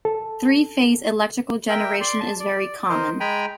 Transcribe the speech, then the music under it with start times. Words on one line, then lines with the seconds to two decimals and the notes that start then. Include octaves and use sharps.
Three-phase electrical generation is very common.
0.05 A4
1.69 A#4 E5 G5
2.00 D5 C6
2.20 A5
2.40 D5
2.89 A#4 C5 D#5
3.20 G#3 G5 G#5 A#5 B5